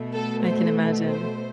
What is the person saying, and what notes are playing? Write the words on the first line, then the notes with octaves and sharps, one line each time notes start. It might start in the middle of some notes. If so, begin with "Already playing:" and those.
I can imagine.
Already playing: B2 A3
A4
C5
C5